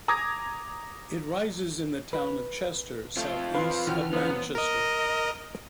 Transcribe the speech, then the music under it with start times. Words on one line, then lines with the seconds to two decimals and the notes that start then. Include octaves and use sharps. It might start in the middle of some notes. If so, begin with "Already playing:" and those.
It rises in the town of Chester, southeast of Manchester.
0.08 A#5 D6 D#6 G#6 A#6
2.13 B4
3.17 A3 C4 F4
3.54 B4 F5 B5 C6
3.87 D#2 E3 F#4 G5 F6
4.13 F#2 F3 B3
4.55 A#4 D#5